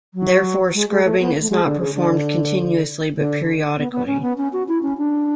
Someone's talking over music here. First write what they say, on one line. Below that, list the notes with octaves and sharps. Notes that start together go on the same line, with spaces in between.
Therefore, scrubbing is not performed continuously but periodically.
F#3
G#3
G#3
A3
B3
A3
G#3
D3
C#3
D3
D3
B3
B3
C#4
B3
C#4
F#4
E4
C#4
D4